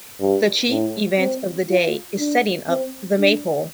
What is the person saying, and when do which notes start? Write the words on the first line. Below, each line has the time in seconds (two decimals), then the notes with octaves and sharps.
The chief event of the day is setting up the Maypole.
0.21 G2
0.70 A2
1.20 C4
1.70 F4
2.19 D4
2.69 C4
3.19 D4